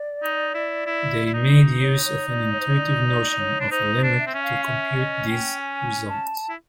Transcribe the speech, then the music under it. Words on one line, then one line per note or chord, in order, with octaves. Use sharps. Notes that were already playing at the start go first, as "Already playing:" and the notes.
They made use of an intuitive notion of a limit to compute these results.
Already playing: D5
D#4
E4
E4
E4
D#4
C#5
C#5
D5
C#5
C5
C#5
D5
D5
D5
C#5
D4
D#4 C5
C5
D4
E5
C4
C#4
F5
E5
D#5
G5
G#5
A5
E4